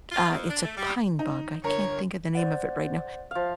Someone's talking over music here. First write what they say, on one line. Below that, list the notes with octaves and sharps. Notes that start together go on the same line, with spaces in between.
Uh, it's a pine bug. I can't think of the name of it right now.
F4
F2
D4
A3
G3
D#4
G1 A#4 C#5
C5 D5 F#5
F3 F5